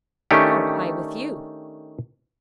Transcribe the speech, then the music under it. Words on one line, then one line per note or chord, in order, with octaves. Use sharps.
Nor I with you.
D#3 A3 C#4 D4 G4